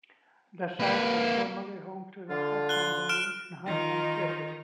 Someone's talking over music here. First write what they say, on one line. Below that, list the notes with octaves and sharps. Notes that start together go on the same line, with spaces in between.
The site was formerly home to the Hartman Building and Hartman Theatre.
A#3 B4
D3 F4
F#6 G7
F6 D7 E7
D#3 D#4 F4 A#4